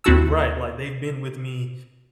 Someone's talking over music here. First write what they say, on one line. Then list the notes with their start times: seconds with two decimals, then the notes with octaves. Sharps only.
Right, like they've been with me
0.04 D#2 C4 E4 F#4 A5 E6